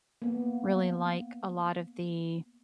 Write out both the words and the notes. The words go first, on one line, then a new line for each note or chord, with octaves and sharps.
really like a lot of the,
A#3 B3